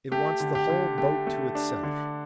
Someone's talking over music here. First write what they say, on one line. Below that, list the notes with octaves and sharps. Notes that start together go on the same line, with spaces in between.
It wants the whole boat to itself.
A3 G4
D3
G4
D3
A3 G4
A3
D4
D3